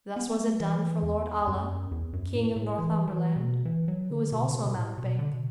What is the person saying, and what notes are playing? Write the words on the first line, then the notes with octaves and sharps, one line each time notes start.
Thus was it done for Lord Alla, King of Northumberland, who was also a mountebank.
B3
A3
E3
F#3
E3
E2
F#2
E2
F#2
A2
A2
E3
E3
B2
E3
F#3
D3
B2
D3
B2
B2
A2
B2
D3
B2